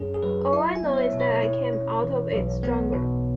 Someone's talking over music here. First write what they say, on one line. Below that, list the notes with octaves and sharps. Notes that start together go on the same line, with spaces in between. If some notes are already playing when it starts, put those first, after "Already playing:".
All I know is that I came out of it stronger.
Already playing: F#2 C#4 G#4
G#4
F#3 B4
E4 E5
G#5
B3
C#5
E5
B2
C#5
E4
C#4
E3
B1
B3
B2